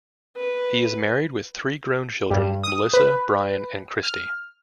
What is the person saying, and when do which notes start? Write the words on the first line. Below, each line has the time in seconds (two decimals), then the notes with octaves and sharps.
He is married with three grown children, Melissa, Brian, and Kristi.
0.37 B4
2.30 G2
2.63 D#6
2.93 B4
4.03 F6